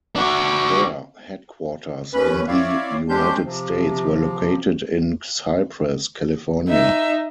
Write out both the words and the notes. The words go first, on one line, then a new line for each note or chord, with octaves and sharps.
Their headquarters in the United States were located in Cypress, California.
D4 F#4
D#2 C#4 B4 B5
C4 E4 C#5 D5 E5 F5
G#3 C#4 D4 G4 C5 G6
C3 F3
D#4 E5